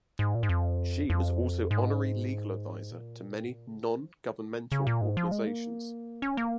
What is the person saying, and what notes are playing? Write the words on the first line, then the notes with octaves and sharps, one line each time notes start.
She was also honorary legal adviser to many non-governmental organisations.
G#2
A#2
G#2
F2
F2
G#2
A#2
G#2
A#2
C#3
A#3
F3
C#3
A#2
G#2
F3
G#3
A#3
C#4
A#3